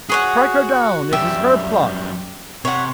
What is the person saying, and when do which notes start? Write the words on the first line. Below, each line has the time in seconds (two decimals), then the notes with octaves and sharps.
Strike her down; it is her plot.
0.09 F#4 G#4 C#5 F#5
1.13 F#2 G3 G4 E5
2.65 C3 C#5 F#5